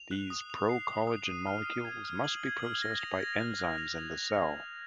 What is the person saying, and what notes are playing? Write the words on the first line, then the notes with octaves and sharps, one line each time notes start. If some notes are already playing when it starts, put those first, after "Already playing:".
These procollagen molecules must be processed by enzymes in the cell.
Already playing: F7
F#6
D#6
F7
C7
D#6
D#6
D#7
F6
D#7
G#6
F6
F#7
G#6
F6
A#6
F7
A#6
F#6
F#6
F7
F7